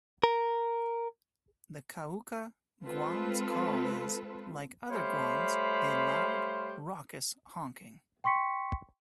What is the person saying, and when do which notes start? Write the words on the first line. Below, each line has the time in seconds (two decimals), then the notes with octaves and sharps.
The Cauca guan’s call is, like other guans, a loud, raucous honking.
0.24 A#4
2.83 G#3 C4 F4 A4 B4
4.90 G3 A3 C5 C#5 F5 B5
8.24 G5 C6 C#6 B6 C#7